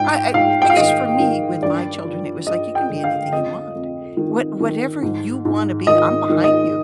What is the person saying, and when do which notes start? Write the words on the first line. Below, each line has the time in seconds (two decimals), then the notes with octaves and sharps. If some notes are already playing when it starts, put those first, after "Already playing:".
I I I guess for me, with my children, it was like you can be anything you want. What whatever you wanna be, I'm behind you.
Already playing: G#2 G5
0.34 G#2 F5
0.62 G5
0.70 F5
0.77 D#3 D#5
1.20 D#3
1.62 G2 D5
2.05 F3
2.47 G2 D#5
2.75 G5
2.90 D3
3.04 F5
3.32 F2 D#5
3.75 F2
4.17 D#3
4.60 D#3
5.02 G#2
5.45 G#2
5.87 D#3 D#5
6.30 D#3
6.44 D#5